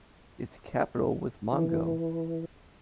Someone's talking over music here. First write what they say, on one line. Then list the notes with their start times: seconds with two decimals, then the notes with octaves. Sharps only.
Its capital was Mongo.
1.52 E3